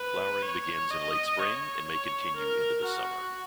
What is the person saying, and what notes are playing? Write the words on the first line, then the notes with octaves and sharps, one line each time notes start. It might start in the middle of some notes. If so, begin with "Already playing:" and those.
Flowering begins in late spring and may continue into the summer.
Already playing: B4
C#5
D#5
C#5
C#5
A#4
F#4